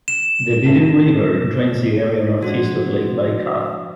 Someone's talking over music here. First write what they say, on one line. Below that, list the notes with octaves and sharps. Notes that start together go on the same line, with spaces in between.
The Vitim River drains the area northeast of Lake Baikal.
E7
A2
F3 G#3 D4 F#4 C5